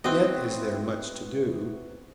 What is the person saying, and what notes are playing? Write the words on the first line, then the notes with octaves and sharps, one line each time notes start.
Yet is there much to do.
B3 C4 E4 F#4 D#5